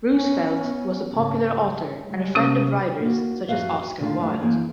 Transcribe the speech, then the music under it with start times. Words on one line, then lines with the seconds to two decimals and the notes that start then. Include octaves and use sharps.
Roosevelt was a popular author and a friend of writers such as Oscar Wilde.
0.14 B3 C#4
1.10 G#2 C#3
2.04 G3 G#3
2.35 C3 C#4 D#6
3.00 A#3 F#4
3.49 F#2 F3 F#4 B4 E5 F5
3.79 G#5
4.00 D3 D#3 A3 D4 F4
4.17 G2 F3 F#3 A3
4.41 F#2 E3 A#3 G#4 C5